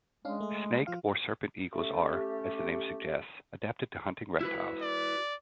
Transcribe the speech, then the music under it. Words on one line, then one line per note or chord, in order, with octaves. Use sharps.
Snake or serpent eagles are, as the name suggests, adapted to hunting reptiles.
G#3 C#4 D4 F5
A3 G#4
F3 F4 F5
A3 C#4 G4
E4 F#4 B4
D5